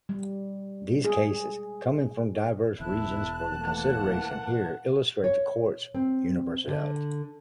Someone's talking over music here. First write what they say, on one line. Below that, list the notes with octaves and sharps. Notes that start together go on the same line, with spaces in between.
These cases, coming from diverse regions for the consideration here, illustrate the Court's universality.
G3
G#4
E1 E2 E4 A5 F#6
E3 A3 A#3 F#5
C#5
C4
D3